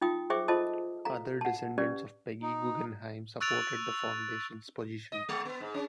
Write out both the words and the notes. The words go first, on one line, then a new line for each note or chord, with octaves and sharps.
Other descendants of Peggy Guggenheim supported the foundation's position.
D#4 F4 G5 D#6
G#4 C5 E5 G5 C#6 D6
F4 A4 C5 D#5 A5 D#6
A4 F5 A#5
F#5 A5
C#4 G4 B4 D5
D#4
C#6 E6 F#6 A6 D7 F7
D#5
G#3
B3
G#2
C#4